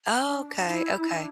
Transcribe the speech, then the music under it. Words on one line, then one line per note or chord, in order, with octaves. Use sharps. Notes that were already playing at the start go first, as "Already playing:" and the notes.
Okay. Okay.
D4
E4
D4